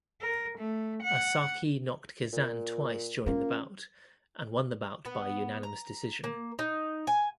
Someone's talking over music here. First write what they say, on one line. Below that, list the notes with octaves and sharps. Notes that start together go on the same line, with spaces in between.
Osaki knocked Kazane twice during the bout and won the bout by unanimous decision.
A#4
A3
F#5
A#2
A#3 C#4 F4
B3
A#5
A#3
D#4
G#5